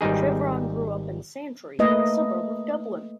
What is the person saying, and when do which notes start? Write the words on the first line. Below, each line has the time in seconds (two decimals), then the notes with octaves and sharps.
Chevron grew up in Santry, a suburb of Dublin.
0.01 G#1 G3 D#4 G#4
1.79 A3 A#3 B4 D#5